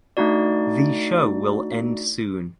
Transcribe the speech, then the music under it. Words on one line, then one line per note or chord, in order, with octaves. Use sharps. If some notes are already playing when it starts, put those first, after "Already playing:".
The show will end soon.
A3 D4 D#4 F#4 D5